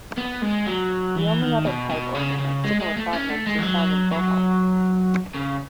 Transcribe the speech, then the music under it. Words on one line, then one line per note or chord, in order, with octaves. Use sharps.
The only other pipe organ of similar provenance is found in Bohol.
B3
G#3
F#3
E3
D#3
B2
B2
C#3
C#3
G#3
G#3
A3
C#4
A3
G#3
E3
F#3
F#3
C#3